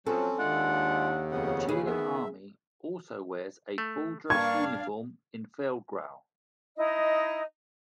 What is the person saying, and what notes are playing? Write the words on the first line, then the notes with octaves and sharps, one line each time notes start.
The Chilean Army also wears a full dress uniform in feldgrau.
F3 F#3 C4 C#4 A4
D#2 G#3 D4 E4 F4 F#5
F2 C#3 B3 F#5
G#4 B4
D#3 B3 E5
A3
G2 A#3 D4 F5 C#6 G#6
D#4 E4 D#5